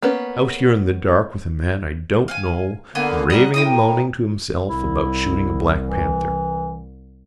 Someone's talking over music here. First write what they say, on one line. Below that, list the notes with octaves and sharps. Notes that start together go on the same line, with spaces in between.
Out here in the dark with a man I don't know raving and moaning to himself about shooting a black panther.
A#3 B3 C#4 B4
F5 F#5 G#5
D3 A#3 B3 G#5
G3 D#5 F#5 A#5
A2 G5 A#5 D#6
C2 E4
E3